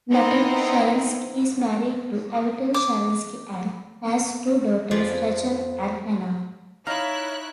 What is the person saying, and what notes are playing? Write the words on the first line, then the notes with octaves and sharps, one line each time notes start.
Natan Sharansky is married to Avital Sharansky and has two daughters, Rachel and Hannah.
B3 C4 D#4 E4 A#4
D6
F2 F3 F4 B4 D5 G#5
D#4 E4 C#5 F5 A#5 F#6